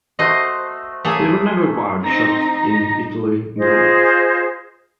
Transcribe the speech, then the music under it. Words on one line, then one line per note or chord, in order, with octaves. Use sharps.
They were never wired shut in Italy in combat.
A3 F#4 C5 D#5
A3 A#3 G#4 A4 C#5
C4 D#4 A#5
D#4
F4 G#4 C5 D#5